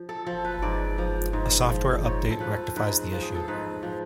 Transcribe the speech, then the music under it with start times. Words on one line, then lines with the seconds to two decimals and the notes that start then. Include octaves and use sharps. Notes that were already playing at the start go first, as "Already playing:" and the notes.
A software update rectifies the issue.
Already playing: F3
0.09 A4
0.26 F3 A4
0.45 B4
0.62 G#2 D5
0.98 F3
1.33 G#2
1.70 F3
2.04 G#2 C#5
2.31 A4
2.40 F3 B4
2.76 G#2 B4
3.12 F3
3.22 G#4
3.35 A4
3.48 G#2 B4
3.83 F3